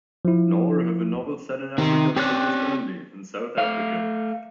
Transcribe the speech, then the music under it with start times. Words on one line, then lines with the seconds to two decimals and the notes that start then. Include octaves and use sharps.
Nor have her novels set in Africa focused only on South Africa.
0.25 F3 E4
1.78 D#3 C4 G4
2.16 C4 C#4 G4 C#5 D5 F#6
3.57 A3 F5